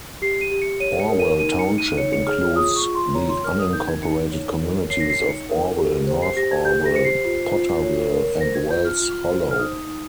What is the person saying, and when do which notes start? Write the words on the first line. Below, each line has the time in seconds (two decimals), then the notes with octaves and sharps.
Orwell Township includes the unincorporated communities of Orwell, North Orwell, Potterville, and Wells Hollow.
0.22 G4 C7
0.41 D#7
0.51 G4
0.62 C#7
0.80 C#5 D#7
1.00 C#7
1.10 A#4
1.19 D#7
1.39 D#4 D#7
1.59 C#7
1.68 D#4
1.78 D#7
1.98 C#5 C#7
2.13 C#7
2.26 G#4 F6
2.41 F6
2.56 F4 D#6
2.76 C#6
2.85 F4
2.95 C6
3.14 C#5 A#5
3.29 C6
3.44 A#4 F6
3.59 D#6
3.73 D#4 G6
3.88 G#6
4.03 D#4 C#7
4.32 C#5
4.61 A#4
4.90 C#5 C7
5.00 A#6
5.10 C7
5.19 D#4
5.29 C#7
5.49 A#4
5.77 G4
6.07 C5
6.22 C7
6.37 G4 A#6
6.51 G#6
6.65 G4 G6
6.86 A#6
6.94 C5 C#7
7.05 C7
7.25 F4
7.53 F4
7.82 C#5
8.12 A#4
8.41 C5 A#6
8.55 G#6
8.70 F4 G6
8.85 F6
9.00 F4
9.28 C5
9.51 F6
9.58 D#4 D#6
9.87 D#4